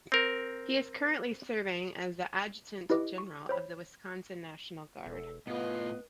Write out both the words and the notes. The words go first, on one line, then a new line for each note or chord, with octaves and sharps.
He is currently serving as the adjutant general of the Wisconsin National Guard.
C4 A#4
E4 G4 B4 D#5 D6
C#6
C5 C#5 B5
E1 A4
A2 B3 F4 B4 D#5